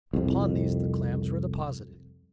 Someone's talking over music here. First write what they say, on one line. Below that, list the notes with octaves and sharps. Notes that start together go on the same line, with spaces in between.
Upon these the clams were deposited.
C2 F2